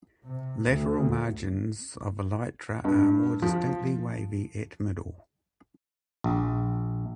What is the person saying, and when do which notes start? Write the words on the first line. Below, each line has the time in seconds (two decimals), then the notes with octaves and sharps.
Lateral margins of elytra are more distinctly wavy at middle.
0.25 C3
0.68 D2
2.85 G2
3.42 F3
6.24 A#1